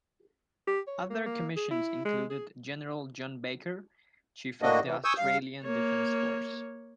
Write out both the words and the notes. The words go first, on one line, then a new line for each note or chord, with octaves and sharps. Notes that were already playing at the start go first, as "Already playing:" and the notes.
Other commissions included General John Baker, Chief of the Australian Defence Force.
G4
C#5
A#3
A#3
G#4
E4
G#3
G#4
A2 D3 A#3 D4 F#4 D#5
C3 E3
G#5 C#6 D#6 E6 G6
G2 F5
A#3 C#5